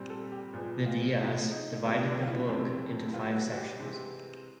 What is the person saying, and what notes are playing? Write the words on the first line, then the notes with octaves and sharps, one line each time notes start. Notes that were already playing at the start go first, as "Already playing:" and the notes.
The Dais divided the book into five sections.
Already playing: A#2 G3 C4
A4
G4
A#2 F3 G#3 B3
F4
C#3 F3 G#3 E4
D#4
C3 F3 G#3 B3 D#4
D4
F4
E4
F2 C3 E3 G#3 C4
E4
A#2 G3 B3 F4
F#4
F#4
G4
C3 E3 G#3 C4